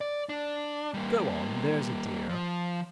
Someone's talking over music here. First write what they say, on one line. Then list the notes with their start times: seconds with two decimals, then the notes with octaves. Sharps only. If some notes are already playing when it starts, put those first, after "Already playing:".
Go on, there's a dear.
0.01 D5
0.29 D4
0.94 G3 A#3
2.29 F3